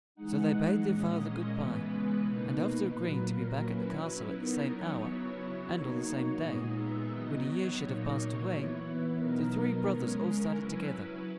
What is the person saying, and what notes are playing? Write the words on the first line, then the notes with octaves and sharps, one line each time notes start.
So they bade their father good-bye, and after agreeing to be back at the castle at the same hour, and on the same day, when a year should have passed away, the three brothers all started together.
E3 G#3 D#4 F#5
A#2 G#3 C#4 D#5
C#3 E3 G#3 B3 B4
B2 A#3 D#4 B4
A#2 F#3 A#3 B4
A#4
F#3 C#4 E4 B4
F#3 B3 D#4 A#4
C#5
C#3 F#3 B3 E4
F#3 A#3 D#4
A#2 G#3 B3 D#4 D#5
E5
D#3 F#3 B3 D#5
C#5
A#2 F#3 A#3 D#4 C#5
C#5
E3 B3 E4 C#5
B4
B2 F#3 B3 D#4 A#4
C#3 G#3 C#4
F#3 C#4 E4 B4